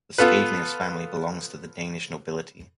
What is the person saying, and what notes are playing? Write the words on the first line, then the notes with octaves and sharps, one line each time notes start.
The Scavenius family belongs to the Danish Nobility.
B3 F4 A4 B4